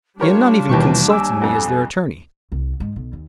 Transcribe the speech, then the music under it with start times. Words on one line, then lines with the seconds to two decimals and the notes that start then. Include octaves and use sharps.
He had not even consulted me as their attorney.
0.20 G3 D4 F4 G4 A#4 C#5
0.69 D#2 B2 D#3 E3 G4 C#6
1.10 G#5 D6 E6
1.41 B1 F2
2.52 C2
2.80 G#2 G#3
2.96 B1
3.13 D#2